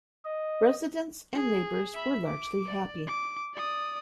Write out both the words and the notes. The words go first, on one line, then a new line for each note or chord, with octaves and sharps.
Residents and neighbours were largely happy.
D#5
G#4
E5 B5
D6
D5
D6
D5 D#6